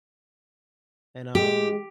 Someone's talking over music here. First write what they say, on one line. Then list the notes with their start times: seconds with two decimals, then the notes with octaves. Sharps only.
and, um,
1.35 G#3 G4